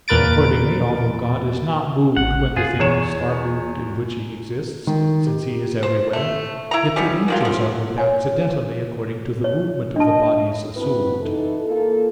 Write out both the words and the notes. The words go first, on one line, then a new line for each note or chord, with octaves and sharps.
Accordingly, although God is not moved when the things are moved in which He exists, since He is everywhere; yet the angels are moved accidentally according to the movement of the bodies assumed.
E2 A#2 A#4 B4 A6 D7
A1 F#5
F#2 F4 G#4
E2 C#5 E7
D#3
G4
C5
A3
E4 A#5
G3 B3 C#4 D#4
D#3 F#3 F4
D3 F3
C#5 G#5
C#5
D4 D#5 A5
B2 C4 E4 B4
E3 D#4 A4
A#3 F4 A4